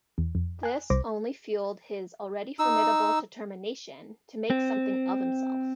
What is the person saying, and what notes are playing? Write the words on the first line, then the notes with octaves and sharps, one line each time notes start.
This only fueled his already formidable determination to "make something of himself".
E2
F2
G#5 A5 F#6
C2 C5 D6 A#6
D#4 E6
C4